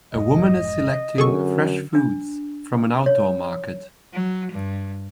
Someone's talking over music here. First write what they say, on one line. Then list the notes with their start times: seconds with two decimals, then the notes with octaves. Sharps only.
A woman is selecting fresh foods from an outdoor market.
0.14 F1 G#2 D#5
1.18 F#2 D3 G#4 A4 C#6
1.95 D4
3.06 C#5
4.13 F#3
4.51 G2